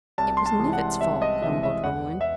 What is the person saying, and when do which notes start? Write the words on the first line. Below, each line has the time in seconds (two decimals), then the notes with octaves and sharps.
"It was Knivett's fault," grumbled Roland.
0.18 C2 A5
0.37 C6
0.46 A5
0.59 C3 E3 G#3
0.73 F#5
1.01 C2 E5
1.22 D#5
1.42 C3 E3 G#3 E5
1.63 E5
1.84 E2 F#5
2.21 E5